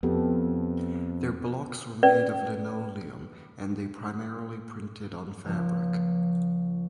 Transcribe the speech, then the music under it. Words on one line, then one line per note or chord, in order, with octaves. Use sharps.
Their blocks were made of linoleum, and they primarily printed on fabric.
F2 B3 G4 A4
C#4 B4 D5
C#2 F3 A#3